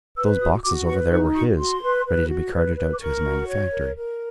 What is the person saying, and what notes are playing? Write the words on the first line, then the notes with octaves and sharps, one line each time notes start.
Those boxes over there were his, ready to be carted out to his manufactory.
B4 E6
F#4 D#6
F#4 D6
B4 C#6
D#4 C#6
F#4 C#6
F#4 C6
B4
B4
F#4
B4
B4
D6
A#4 C#6
F#4
C#5
A#4
A#4